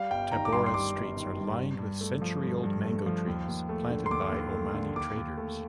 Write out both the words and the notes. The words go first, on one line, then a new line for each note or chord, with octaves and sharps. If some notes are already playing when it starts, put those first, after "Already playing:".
Tabora's streets are lined with century-old mango trees planted by Omani traders.
Already playing: G3 F5
G1 G5
D#3 A#5
D6
G2 C6
C6
G3 D6
G1
D#3
G2
G2
G2
A3
F3
G2
G2
A3
F3
D#2
D#2
A3
D3
C6
D#2 D6
D#2
A3
D3
D#2 D6
D#2
A3